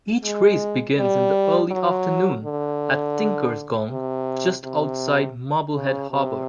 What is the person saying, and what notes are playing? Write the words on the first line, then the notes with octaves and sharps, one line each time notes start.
Each race begins in the early afternoon at "Tinkers Gong", just outside Marblehead Harbor.
G#3
G3
F#3
D3
C3
C3
C#3
C3